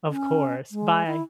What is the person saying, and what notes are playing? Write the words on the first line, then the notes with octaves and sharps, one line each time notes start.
Of course. Bye.
C#4
G#3
E4